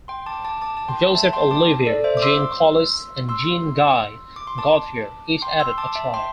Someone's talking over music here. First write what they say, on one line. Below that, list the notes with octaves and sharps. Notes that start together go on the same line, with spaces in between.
Joseph Olivier, Jean Collas, and Jean-Guy Gauthier each added a try.
G5 C6
A5 D6
A5 D6
A5 D6
A5
G5 C6
E5 A5
A5
G5 C6
A5 D6
A4 D5
C5 E5
D6
C6 E6
C6 E6
D6
C6
A5 D6
G5 C6
C6 E6
A5 D6
E5 A5
G5 C6